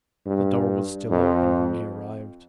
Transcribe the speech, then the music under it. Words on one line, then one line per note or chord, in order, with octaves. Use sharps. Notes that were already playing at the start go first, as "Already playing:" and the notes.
The door was still open when he arrived.
G2
F2